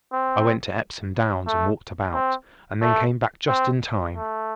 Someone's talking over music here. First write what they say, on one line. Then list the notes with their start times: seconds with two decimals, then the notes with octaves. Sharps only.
I went to Epsom Downs and walked about, and then came back just in time.
0.12 C4
1.47 A3
2.14 C4
2.82 A3
3.48 C4
4.15 A3